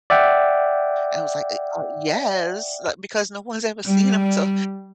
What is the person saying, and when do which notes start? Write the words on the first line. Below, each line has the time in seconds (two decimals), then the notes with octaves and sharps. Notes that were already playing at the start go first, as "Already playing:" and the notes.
And I was like, "Uh, ah, yes." Like, because no one's ever seen 'em, to
0.10 D5 E5 F#5 G5
3.86 G3